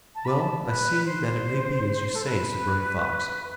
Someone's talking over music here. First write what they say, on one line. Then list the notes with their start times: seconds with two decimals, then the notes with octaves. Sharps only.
"Well, I see that it may be as you say," said Running Fox.
0.15 A5
0.25 B5
0.39 A5
0.65 B4
1.05 C5
2.15 A4
2.25 B4